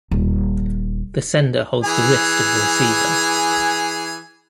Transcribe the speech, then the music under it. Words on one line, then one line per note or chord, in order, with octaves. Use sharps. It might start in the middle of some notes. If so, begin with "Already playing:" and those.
The sender holds the wrist of the receiver.
D#1
E3 G#4 G#5